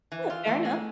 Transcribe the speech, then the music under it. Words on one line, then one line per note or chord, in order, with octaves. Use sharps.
Yeah, fair enough.
E3
F4
E3 A3
G#3